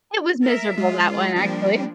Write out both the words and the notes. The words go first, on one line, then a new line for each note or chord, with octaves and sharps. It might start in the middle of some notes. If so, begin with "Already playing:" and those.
It was miserable that one, actually.
A#4 E5
G#3 F4
F3 G3 A#3 D4